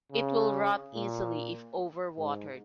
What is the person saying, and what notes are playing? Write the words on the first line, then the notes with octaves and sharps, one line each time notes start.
It will rot easily if overwatered.
C#3
A#2
G#2